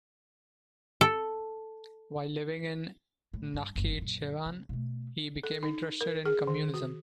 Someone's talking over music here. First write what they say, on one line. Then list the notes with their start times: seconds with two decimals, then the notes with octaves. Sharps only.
While living in Nakhichevan, he became interested in Communism.
1.01 A4
3.33 A2
3.54 G2
3.75 F#1 G2
3.98 F#2 A#2
4.46 C#3
4.69 B2 A3
5.43 A4
5.63 D#4
6.01 A#4
6.25 G#4
6.47 D#3
6.74 F#4